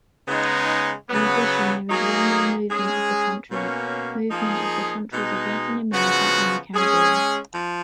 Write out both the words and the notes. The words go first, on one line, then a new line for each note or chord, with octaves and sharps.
In addition there is one more movement of the countries - movement of the countries of Latin America and the Caribbean.
C#3 G#3 B3 D#4
C#3 F#3 B3
F#3 A#3 D#4 G#4
G#3 C#4 G#4
B2 A#3 C#4
F3 A#3 D#4 G#4
B2 G#3 D#4
C#3 F3 B3 F#4
G#3 C#4 G#4
F3